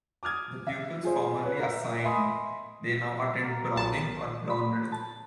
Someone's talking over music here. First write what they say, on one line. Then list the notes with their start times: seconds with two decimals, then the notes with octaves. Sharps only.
The pupils formerly assigned there now attend Browning or Brown Middle.
0.23 D6 D#6 F6 G#6
0.67 E5
1.03 F4 G#4 C5
1.44 B4 C#5
1.60 A#4 E5
2.04 D#5 E5 G#5 B5 C6 D#6
3.42 A#4
3.76 B1 A5
4.50 B5
4.92 A5